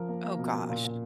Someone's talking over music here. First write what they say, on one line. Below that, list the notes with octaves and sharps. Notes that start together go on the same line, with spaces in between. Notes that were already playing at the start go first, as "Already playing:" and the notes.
Oh, gosh.
Already playing: F3 A#4
A#3
A#3
B2
A#3
A#2
A#2